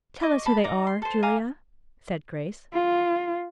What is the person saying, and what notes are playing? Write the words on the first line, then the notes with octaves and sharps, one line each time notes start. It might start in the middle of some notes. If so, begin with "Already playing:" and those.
"Tell us who they are, Julia," said Grace.
D#5 C#6 D6
A5 B5
D#4 A#5 D6
C6
A4 C5
F5 G#5 A#5 D6
F4